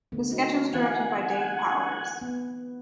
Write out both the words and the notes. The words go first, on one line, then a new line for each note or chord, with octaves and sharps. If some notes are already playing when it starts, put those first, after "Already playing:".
The sketch was directed by Dave Powers.
D3 A3 B3
C4 D#4 F#4
E3 E4 F5 F#5 G#5
B3